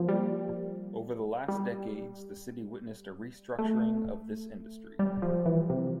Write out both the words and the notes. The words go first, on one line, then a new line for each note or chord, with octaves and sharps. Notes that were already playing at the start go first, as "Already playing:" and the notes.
Over the last decades the city witnessed a restructuring of this industry.
Already playing: F3 A#3
G3
G3
A3
G3
F3
E3
C3